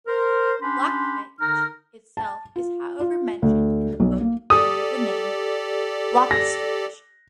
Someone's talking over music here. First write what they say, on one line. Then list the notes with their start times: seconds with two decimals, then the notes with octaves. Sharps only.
Bloxwich itself is however mentioned in this book under the name 'Blockeswich'.
0.07 A#4 C5
0.61 C#4 D4 G4 B5 C6
1.40 D3 D#4 A#4 A#5 F6
2.17 A5
2.56 F4
3.00 F4
3.42 D2
4.00 B1
4.21 A#3
4.50 G4 A4 D5 D#6
6.31 A#6